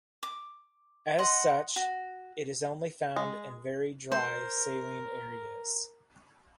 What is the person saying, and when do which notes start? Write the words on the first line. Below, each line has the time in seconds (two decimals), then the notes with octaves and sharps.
As such, it is only found in very dry saline areas.
0.23 D6
1.19 D#5 F#5 C6
1.76 F#4
3.16 G#3
4.12 A#4 C5